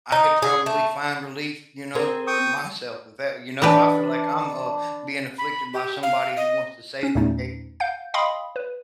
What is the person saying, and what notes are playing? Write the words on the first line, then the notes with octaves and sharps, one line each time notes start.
I could probably find relief, you know, myself if that, you know? If I feel like I'm, uh, being afflicted by somebody who wants to say that they
D#4
G#4
A3
C4 G#4 A#4
G5 C#6 D#6
E3 D4 G4 B4 B5
B5
G4
F5
D#5
C#4
E2 A#2 A3 C#4 D#4
F5 F#5 G6
D#5 F5 G5 B5 C6 D#6
B4